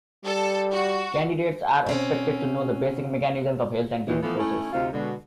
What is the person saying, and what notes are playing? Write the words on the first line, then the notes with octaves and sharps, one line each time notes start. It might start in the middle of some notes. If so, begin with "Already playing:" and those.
Candidates are expected to know the basic mechanisms of health and disease process.
G3 A4
F#4
B2 C4 C#4
D#2 E3 D#4
E3 F3 A3 B3
A3 C#4 D#4 E4
D2 C3 C4 D#4 F4 F5
B2 D3 G#3